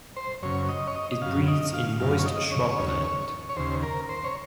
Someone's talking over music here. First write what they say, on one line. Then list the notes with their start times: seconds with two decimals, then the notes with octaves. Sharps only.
It breeds in moist shrubland.
0.17 C5
0.43 F#2 C#3 C#5
0.69 D#5
0.88 C#5
0.95 D#5
1.12 D#5
1.22 F#2 C#3 F5
1.48 D#5
1.74 F5
2.00 F#2 C#3 F5
2.19 C#5
2.26 D#5
2.52 C#5
2.78 D#2 C#3
3.49 C#5
3.57 D#2 C#3 C5
3.83 A#4
4.09 C5
4.24 C#5